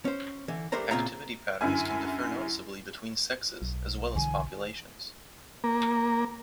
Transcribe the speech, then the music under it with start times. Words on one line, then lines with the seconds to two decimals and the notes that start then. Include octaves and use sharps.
Activity patterns can differ noticeably between sexes as well as populations.
0.05 C#4 C5
0.48 D3 E3
0.72 G3 A3 D4 A#4 C5 A#5
0.91 A#2 C#3 C4 F4 E5 A#5
1.61 F#2 D3 E4 G#5
3.62 B1
4.16 D3 E3 G#5
5.64 A#3